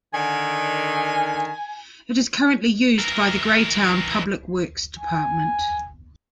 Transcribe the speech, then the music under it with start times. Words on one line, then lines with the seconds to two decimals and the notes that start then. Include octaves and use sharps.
It is currently used by the Greytown public works department.
0.14 D3 D#3 G#5
2.99 E3 A#4
5.00 G#5